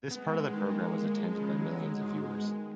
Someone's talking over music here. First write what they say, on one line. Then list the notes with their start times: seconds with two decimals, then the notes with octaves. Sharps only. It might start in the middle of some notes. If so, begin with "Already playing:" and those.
This part of the program was attended by millions of viewers.
0.11 G#3 B3
0.31 B3
0.53 D#3
0.74 A#3
0.95 A#4
1.17 F3
1.38 C#3
1.59 F#3
1.80 F#3
2.01 G#2
2.23 B3
2.44 D#3